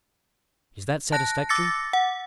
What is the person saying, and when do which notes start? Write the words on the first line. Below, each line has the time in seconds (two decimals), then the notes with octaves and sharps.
Is that satisfactory?'
1.12 A5 F#6 A#6
1.49 D6 E6 A6 A#6 C#7
1.93 F#5